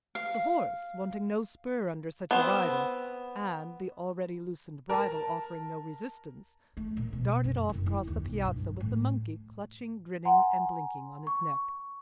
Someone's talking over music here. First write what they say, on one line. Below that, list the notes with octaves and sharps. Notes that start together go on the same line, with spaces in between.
The horse wanted no spur under such a rider, and, the already loosened bridle offering no resistance, darted off across the piazza, with the monkey, clutching, grinning, and blinking, on his neck.
F5
B3 C4
A#4 A5
A3
A#2
B2
F#2
F#1
E4
D#2
B1
G2
A2
F#5 G#5 A#5 C6
C#6